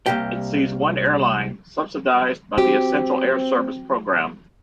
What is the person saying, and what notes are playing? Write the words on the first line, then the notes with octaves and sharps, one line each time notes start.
It sees one airline, subsidized by the Essential Air Service program.
C2 G#2 A#3 G4 G5
C4 F#4 G4